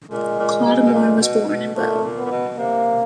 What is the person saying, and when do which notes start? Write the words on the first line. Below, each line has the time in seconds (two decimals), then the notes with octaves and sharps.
Clodumar was born in Boe.
0.11 A#2 G#3
0.39 A#2
0.66 B2
0.86 B2
0.94 A#2
1.21 B2
1.48 B2
1.76 A#2 A3
2.03 A#2
2.17 B3
2.25 A#2
2.31 B2
2.58 C3 A#3